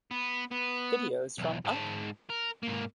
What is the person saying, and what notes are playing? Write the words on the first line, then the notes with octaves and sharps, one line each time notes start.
Videos from Up!
B3
B3
B1 E2
G#2 A5
A#4
G#2 A#3